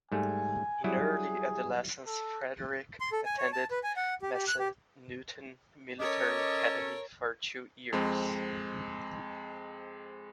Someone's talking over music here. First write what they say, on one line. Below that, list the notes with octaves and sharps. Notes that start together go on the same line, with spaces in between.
In early adolescence, Frederick attended Massanutten Military Academy for two years.
G#2 G3 A3 G#5
F#3 G3 E4 G#4
A4
C6
A4
G#5
C#5
A5
B4
G#5
F#5
G4
G4
F#6
G4
C#4 A4 A#4 C#5 D#5 D6
F2 G#3 C4